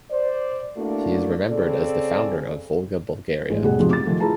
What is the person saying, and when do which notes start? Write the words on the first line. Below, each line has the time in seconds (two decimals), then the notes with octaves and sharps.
He is remembered as the founder of Volga Bulgaria.
0.11 C5 D5
0.76 A3 A#3 D4 E4 F#4
1.48 C#3 C4 A4 D5
3.49 A1 G#3
3.64 F1 B2 G3 G#4 F#5
3.80 G#2 C3 F3 F#3 G#3
3.91 D6 A6
4.06 D#3 F3 A3
4.20 E4 F4 G#4 B4 A5 A#5